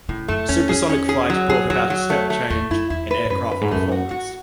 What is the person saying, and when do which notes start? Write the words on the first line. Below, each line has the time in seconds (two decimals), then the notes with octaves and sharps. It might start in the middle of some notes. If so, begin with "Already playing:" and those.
Supersonic flight brought about a step change in aircraft performance.
0.09 A2 C#3
0.28 F#2 A3
0.49 E2 C#4
0.69 G#4
0.89 C#4
1.09 G#4
1.30 F#3
1.49 G#4
1.70 E2 F#3
1.90 F#3
2.10 A3
2.30 A3
2.50 E2 A3
2.70 F#2 E4
2.90 E2 E4
3.11 B4
3.25 G#2
3.30 F#2 B4
3.51 B4
3.61 G#2
3.71 F#2 A3
3.92 F#4
4.11 G#2 F#4